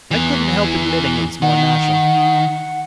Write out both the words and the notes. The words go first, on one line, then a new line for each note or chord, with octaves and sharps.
I couldn't help admitting it was more natural.
E2 E3
D#3 F#5